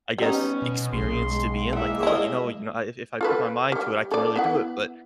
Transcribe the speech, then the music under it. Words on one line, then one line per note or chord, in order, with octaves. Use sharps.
I guess, experience to be in. Like, "Oh, you know you know, I i if I put my mind to it, I can really do it." But
G3 B3 C#4 D#4
B2
B1 G#4 C6
G#3
E3 A#3 E5
E4 D#5
F4 A4 B4
G3
A4 D5
B3 E4 F#5